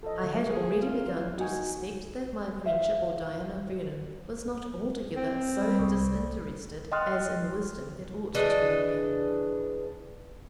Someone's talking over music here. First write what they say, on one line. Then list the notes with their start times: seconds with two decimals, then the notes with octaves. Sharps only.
I had already begun to suspect that my friendship for Diana Vernon was not altogether so disinterested as in wisdom it ought to have been.
0.03 F3 A4 D#5
0.23 D3 A3
0.49 G#4
0.82 A#3 F4
1.38 D#4 F#4 G#5
2.65 C5 E5 F5
5.17 C4
5.58 G3
5.79 C2
6.92 D#5 G5 C6 D#6 F6 F#6
8.35 C#3 E3 D4 D#5